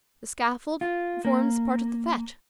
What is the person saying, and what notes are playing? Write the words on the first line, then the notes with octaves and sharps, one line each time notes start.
"The scaffold forms part of the fete."
F4
A#3